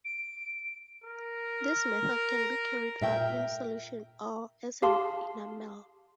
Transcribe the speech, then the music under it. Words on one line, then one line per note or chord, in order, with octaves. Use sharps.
This method can be carried out in solution or as an enamel.
D7
A#4
A#2 E5 G5
G4 G#4 F5 A5 C6